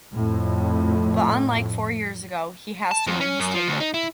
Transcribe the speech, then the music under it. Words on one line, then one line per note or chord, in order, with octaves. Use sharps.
But unlike four years ago, he has to win his ticket.
F2 A2
A5
F2
C#4
F#2
F3
D2
D#4
E4